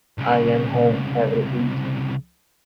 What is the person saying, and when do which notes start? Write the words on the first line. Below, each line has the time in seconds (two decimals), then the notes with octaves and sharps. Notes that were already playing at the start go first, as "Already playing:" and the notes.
I'm home every evening.
0.18 C2 C#3